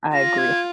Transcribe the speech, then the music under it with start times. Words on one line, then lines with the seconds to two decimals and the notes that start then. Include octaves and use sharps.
I agree.
0.13 F4 A#6
0.38 G#6